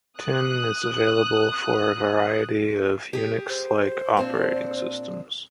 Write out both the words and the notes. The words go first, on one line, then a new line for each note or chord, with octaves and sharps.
Tin is available for a variety of Unix-like operating systems.
D#6 F#6
G4 G#4
C5
A#2 C4 D4